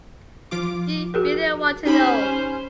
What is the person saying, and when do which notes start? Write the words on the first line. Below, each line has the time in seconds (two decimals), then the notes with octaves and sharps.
You really want to know?
0.51 F3 F4 D6
1.14 F#4 G#4 A#4
1.85 C#4 D#4 G4 C5 B5